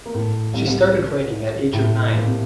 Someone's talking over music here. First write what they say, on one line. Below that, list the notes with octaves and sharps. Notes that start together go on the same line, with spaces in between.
She started writing at age of nine.
A#3
A2 A3
C2 C3
C2 C3
A2
A#2
C3